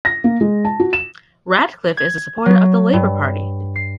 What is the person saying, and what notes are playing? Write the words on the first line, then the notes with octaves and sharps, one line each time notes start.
Radcliffe is a supporter of the Labour Party.
A#6
A#3
G#3
A5
F#4
E7
G#6
F#3
G2
C7